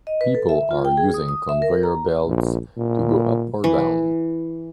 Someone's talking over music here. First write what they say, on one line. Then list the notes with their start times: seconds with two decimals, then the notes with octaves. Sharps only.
People are using conveyor belts to go up or down.
0.07 D#5
0.21 B4
0.35 A4
0.49 E5
0.71 F4
0.85 G5
0.97 G#4
1.14 D#6
1.29 D#6
1.49 E5
1.62 A#4
1.83 A#5
2.26 A#1
2.77 A#2
3.64 E3